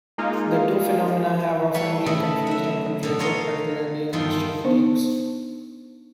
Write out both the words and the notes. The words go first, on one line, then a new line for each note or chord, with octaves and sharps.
The two phenomena have often being confused and conflated, particularly in Christian critiques.
G#3 A#3 D#4 F4
G3 A3 B4 C#5 F5
C#3 A3 E4 D#5 B5
F#3 E5
B2 D3
F4 A#4 C#5 D#5 F5
E2 G2 D#3 F4 C5
B3 D4 D#4 C5